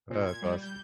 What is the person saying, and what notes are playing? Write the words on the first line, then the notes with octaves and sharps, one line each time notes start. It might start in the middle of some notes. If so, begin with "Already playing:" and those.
Oh, that's awesome.
A#2
G#6
G3
G6